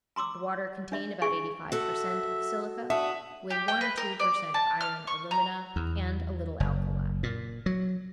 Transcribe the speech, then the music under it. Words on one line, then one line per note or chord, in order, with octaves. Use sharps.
The water contained about eighty-five per cent. of silica, with one or two per cent of iron alumina, and a little alkali.
A#5 C6 D6 E6
D4 E5
G#4 G#5 C#6
F#4 A4 E5
D4 F#4 E5 D#6
G4
G5
B4
A#4
D5
A5
F6
C#6
A#5
E2
F#1
A#2
F#3